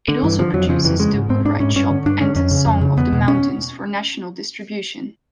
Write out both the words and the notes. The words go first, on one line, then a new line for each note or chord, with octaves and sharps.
It also produces "The Woodwright's Shop" and "Song of the Mountains" for national distribution.
D3
G2 E3
D3 F3
F2 F#3
C#3 F3
F2 E3
C#3 G#3
G#2
G#2 C4
G#2 D4
G#2 C#4
G2 C#4
D3
G2 D4
D3 C#4
F2 C#4
C#3
F2
C#3
E2 B3
B2
C#4